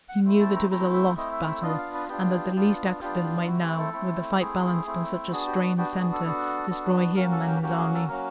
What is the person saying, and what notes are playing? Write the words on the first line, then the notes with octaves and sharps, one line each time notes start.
He knew that it was a lost battle and that the least accident might now--with the fight balanced on such a strained center--destroy him and his army.
F#5
A3 C4 E4
A5
A#5
A3 C4 E4 A#5
E5
A3 C4 E4 D#5
E5
E5
B3 D4 F4 D#5
F5
B4
B3 D4 F4 G4
B3 D4 F4
B3 D4 F4 G4
G4
A3 C4 E4 F#4
G4
A4
A3 C4 E4
A3 C4 E4 G#4
A3 C4 E4
B3 D4 F#4 G#4
G4
F#4
B3 D4 F#4 G4
G4
G#4
A4
B3 D4 F#4
B3 D4 F#4
F#3 A#3 C#4 F#4 A#4
A4
G4
F#3 A#3 C#4 F#4 G4
G#4
A4
F#3 A#3 C#4 F#4 A#4